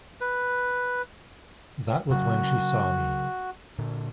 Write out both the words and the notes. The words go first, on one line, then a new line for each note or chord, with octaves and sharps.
That was when she saw me.
B4
C#3 F#3 F#4
A#2 D3